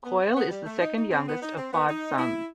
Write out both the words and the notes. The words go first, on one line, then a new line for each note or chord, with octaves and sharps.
Coyle is the second youngest of five sons.
B3
C4
B3
G3
A3
D#4
D#4
C4
B3
D#4
C4
B3
D#4
E4